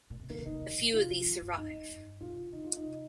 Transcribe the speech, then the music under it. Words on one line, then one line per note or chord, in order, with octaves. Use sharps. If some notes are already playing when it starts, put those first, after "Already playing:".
A few of these survive.
A#2
C3
D#3 A#3
C3
D#3 D#4
D#3
A#2
C3 F4
F3
D#3
G2
F2 D#4
F2
G2
A#2 F4
C3
D#3
D#3 D#4
F4
D#4
C3